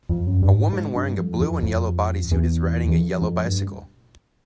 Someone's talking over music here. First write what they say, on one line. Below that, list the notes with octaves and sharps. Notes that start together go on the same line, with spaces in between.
A woman wearing a blue and yellow bodysuit is riding a yellow bicycle.
F2
F#2
G2
G#2
G#2
G2
F2
F2
F2
E2
E2
F2
F2
G2